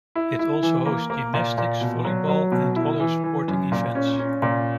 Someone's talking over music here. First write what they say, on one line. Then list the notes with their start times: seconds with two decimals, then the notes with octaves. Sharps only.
It also hosts gymnastics, volleyball, and other sporting events.
0.15 E4
0.39 E4
0.63 E3
0.86 A#3
1.10 A#3
1.34 A#2
1.58 A#2
1.81 B2
2.05 F#3
2.29 F#3
2.52 B2
2.76 E4
3.00 E3
3.24 E3
3.48 F#2
3.72 A#2
3.95 C#4
4.19 C#4
4.42 A#2